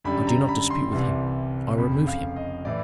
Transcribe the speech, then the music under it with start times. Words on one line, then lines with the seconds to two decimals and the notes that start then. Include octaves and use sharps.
"I do not dispute with him; I remove him."
0.04 F#2 D3 G3 B5
0.27 A#5
0.49 B5
0.70 C6
0.92 C2 C3 E3 G3 C6
1.78 F1 F2 C#3 B5
2.07 F5
2.36 D#5
2.65 A2 E3 D5